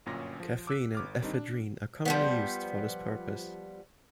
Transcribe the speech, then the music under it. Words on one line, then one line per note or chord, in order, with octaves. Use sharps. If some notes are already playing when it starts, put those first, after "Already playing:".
Caffeine and ephedrine are commonly used for this purpose.
G1 F#2 A#2 C#4 A#6
F3
D6 E6 F#6 B6
G1 D6 F6
D#3 G3 C4 D4 D#4
D4
F3 G3 B3